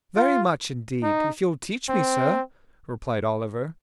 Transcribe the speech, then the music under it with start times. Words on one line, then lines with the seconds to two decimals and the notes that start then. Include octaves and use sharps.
'Very much, indeed, if you'll teach me, sir,' replied Oliver.
0.17 F4
1.03 D#4
1.89 C4